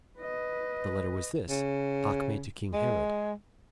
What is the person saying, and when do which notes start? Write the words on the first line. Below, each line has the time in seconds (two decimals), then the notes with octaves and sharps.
The letter was this: 'Acme to king Herod.
0.19 B4 D#5
1.49 C#3
2.73 G#3